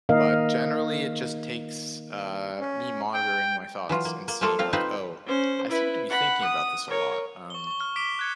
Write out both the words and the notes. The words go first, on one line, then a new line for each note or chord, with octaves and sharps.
but, generally, it just takes, uh, me monitoring my thoughts and seeing like, "Oh, I seem to be thinking about this a lot, um"
D#3 A#3 D#4 A#4 D#5 F5
C#4
G5
E3 F#3 F4
A#3
A#3
F3 A3 A#3 F4 A4
C4 F4 F5
C4 D#4 F4 B4 C5
C#4 C5
E4 B4
F#5 B5
D#6
A#4 C#5
C#6 G7
C#6 G7
F6
D6 B6 D7 E7 G7
F#6 G#6 C#7